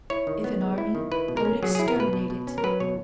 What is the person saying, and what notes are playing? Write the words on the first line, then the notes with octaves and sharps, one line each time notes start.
If an army, I would exterminate it.
E4 C#5
D#3
B3
G#3
E4
D#3
E4 B4
B2
A#4
C#4
F#3 G#4
E4 G#4
A#4
B2 B4
B2
B2
C#4
A#4
F#3 B4
B2 C#5